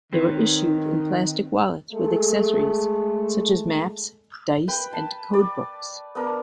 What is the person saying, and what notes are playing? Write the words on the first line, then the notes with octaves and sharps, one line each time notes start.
They were issued in plastic wallets with accessories such as maps, dice and codebooks.
D#3 C4 B4 C#5
G#3 A3
B4 G5 B5
A5
D5
B3 D4 A#4